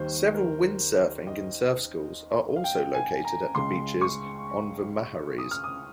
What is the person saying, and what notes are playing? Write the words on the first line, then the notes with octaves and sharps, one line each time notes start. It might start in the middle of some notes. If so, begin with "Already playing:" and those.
Several windsurfing and surf schools are also located at the beaches on the Maharees.
Already playing: D#2 D#3 G3 C5
A#4
D#5
F5
G5
G#5
A#5
C#2 C#3 G#3 C6
C#6
D#6
F6
D#6